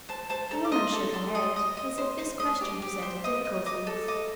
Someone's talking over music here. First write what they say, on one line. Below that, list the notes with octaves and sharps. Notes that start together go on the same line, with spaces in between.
The woman shook her head as if this question presented difficulties.
C5 A5
C5 A5
A4 A#5
D6
D#5 C6
A4
A4 C6
D#5
D#5
D#5
C5
C5
D#5
G4
G4
C5
D#5 D#6
D#5
D#5 D6
A4
D#5 D6